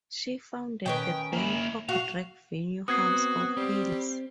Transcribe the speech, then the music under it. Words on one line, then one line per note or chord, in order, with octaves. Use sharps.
She founded the Bangkok drag venue House of Heals.
D#3 C#4 B4 G5
A#3 E4
F#4 F5
B3 C4 F#4 D#6 G#6 C7
G3 C4